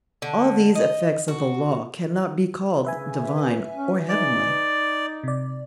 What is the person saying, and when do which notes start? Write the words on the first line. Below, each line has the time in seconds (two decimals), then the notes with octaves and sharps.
All these effects of the Law cannot be called divine or heavenly.
0.22 D3
0.75 D#5
1.28 F#4
2.85 C#3 B4 E5 G#5
3.74 C#4
4.09 D#4 D5
5.23 C3 D5